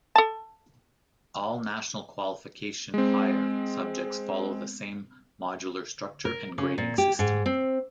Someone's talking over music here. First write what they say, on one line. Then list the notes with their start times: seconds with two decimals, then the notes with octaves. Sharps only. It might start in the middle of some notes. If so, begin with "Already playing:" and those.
All National Qualification Higher subjects follow the same modular structure and grading system.
0.16 A4 A5
2.94 G#3 C4
6.25 A#4
6.58 C#3
6.78 A#2
6.98 G4
7.19 G#2
7.46 C4